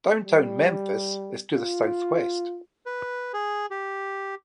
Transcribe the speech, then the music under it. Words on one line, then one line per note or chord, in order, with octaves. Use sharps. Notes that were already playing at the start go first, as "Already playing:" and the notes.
Downtown Memphis is to the southwest.
G3
F4
B4
G#4
G4